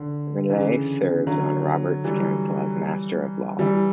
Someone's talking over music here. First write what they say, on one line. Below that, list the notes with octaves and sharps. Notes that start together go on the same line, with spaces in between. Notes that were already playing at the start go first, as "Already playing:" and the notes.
Renly serves on Robert's council as Master of Laws.
Already playing: D3
C#3 E3
D3 F#3
E3 G3
E3 G3